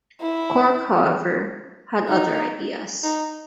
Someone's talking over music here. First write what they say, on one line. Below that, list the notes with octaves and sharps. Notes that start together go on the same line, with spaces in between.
Cork, however, had other ideas.
E4
D#4
D#4